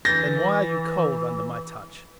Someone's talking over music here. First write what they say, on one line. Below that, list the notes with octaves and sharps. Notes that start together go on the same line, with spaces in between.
Then why are you cold under my touch?
E3 G6 A6 A#6